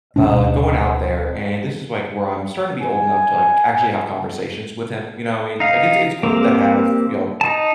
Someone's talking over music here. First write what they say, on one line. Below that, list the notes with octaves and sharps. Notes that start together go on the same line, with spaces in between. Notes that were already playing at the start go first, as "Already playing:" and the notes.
uh, going out there, and this is like where I'm starting to be old enough to like actually have conversations with him, you know what I mean? Like it's it's cool to have, you know,
D1 B2 C#4 D4
G#5
D#4 F5
A#3 C4 G4
D#4 A5